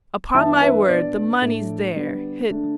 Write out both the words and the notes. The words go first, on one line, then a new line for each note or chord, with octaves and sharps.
"Upon my word, the money's there, hidden."
G2 E3 B3 D4 E5 A5
B4 E5
B2 B3 D4 D5
A2 A3 D4
D3 G3 B3
D3 A3 D4